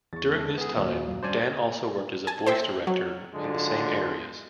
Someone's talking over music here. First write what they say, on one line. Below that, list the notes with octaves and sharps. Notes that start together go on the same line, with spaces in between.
During this time, Dan also worked as a voice director in the same areas.
E2 C#6 A6
G#3 E4 A4
B3 G#4
D#2 A#2 F#3
F#2 A#2
G2 C#4 C5 D5 G#5
G#5 A5
C5 E5 G5
F#3
G#2 D3 F#3 G#3 F4